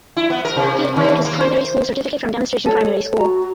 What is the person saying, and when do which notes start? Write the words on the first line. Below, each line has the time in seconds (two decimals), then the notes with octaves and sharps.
He acquired his primary school certificate from Demonstration primary school.
0.17 E4
0.30 B3
0.45 A#4
0.56 C3
0.96 D#2
1.25 A#3
1.40 C5
2.66 A4 C#5
3.19 F#4 A#5